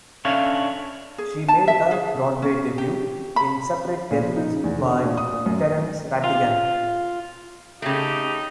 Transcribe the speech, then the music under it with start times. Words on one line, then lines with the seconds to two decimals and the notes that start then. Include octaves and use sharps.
She made her Broadway debut in "Separate Tables" by Terence Rattigan.
0.25 C#4 D4 A4 C#5 E5 F5
1.18 G#4
1.48 A5
1.68 E5
1.91 G#4
2.42 C#4
2.78 G4
3.36 B5
4.11 A#2
4.23 F3
4.36 D#4
4.51 C#3
4.64 E2
4.79 D3
4.92 F#4
5.04 A#2
5.17 D#6
5.32 A#2
5.46 F#2
6.24 F4
7.82 C#3 A3 D#4 G4